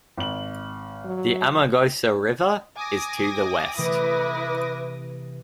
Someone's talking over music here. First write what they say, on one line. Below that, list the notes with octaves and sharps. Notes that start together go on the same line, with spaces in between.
The Amargosa River is to the west.
G#1 F#7
F#3
G#5 D6 D#6 A#6
C3 E3 A3 E4 B4